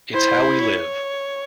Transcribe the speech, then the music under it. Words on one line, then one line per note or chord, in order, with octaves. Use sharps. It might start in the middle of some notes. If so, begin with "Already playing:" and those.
It’s how we live.
E4 C5
C#5